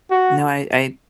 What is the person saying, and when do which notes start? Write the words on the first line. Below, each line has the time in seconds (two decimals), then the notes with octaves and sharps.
No, I I
0.11 F#4